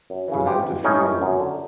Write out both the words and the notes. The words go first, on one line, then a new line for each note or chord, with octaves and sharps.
for them to feel,
F#2
C#3 E3
G#2 F4 G4
E3
A2 C#4 D#4
E3
F#2
D3